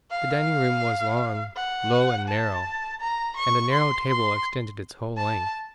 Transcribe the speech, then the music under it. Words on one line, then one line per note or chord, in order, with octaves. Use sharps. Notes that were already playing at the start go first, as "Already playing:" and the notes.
The dining room was long, low and narrow, and a narrow table extended its whole length.
F5
F#5
A5
A#5
C#6
C6
C6
A5